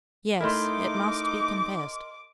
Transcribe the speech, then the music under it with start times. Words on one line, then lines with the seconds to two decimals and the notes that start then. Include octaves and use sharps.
Yes, it must be confessed.
0.41 A3 D#4 E4 A#4 D#5 C6 D6